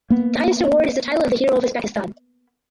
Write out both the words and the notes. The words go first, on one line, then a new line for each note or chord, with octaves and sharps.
The highest award is the title of the Hero of Uzbekistan.
A#3 B3